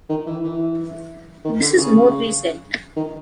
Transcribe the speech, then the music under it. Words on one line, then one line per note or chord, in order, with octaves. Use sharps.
This is more recent.
D#3
E3
E3
D#3
D3
C#3
D#3